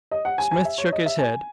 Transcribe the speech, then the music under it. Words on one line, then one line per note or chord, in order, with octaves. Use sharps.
Smith shook his head.
D#5
F#5
G#5
G#5
E5
C#5
D#5
E5
G#5